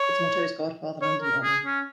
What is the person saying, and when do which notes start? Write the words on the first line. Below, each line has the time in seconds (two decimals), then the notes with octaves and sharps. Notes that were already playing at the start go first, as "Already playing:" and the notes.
Its motto is God, Fatherland, and Honor.
Already playing: C#5
1.02 C#5
1.22 A#4
1.43 G#4
1.65 C#4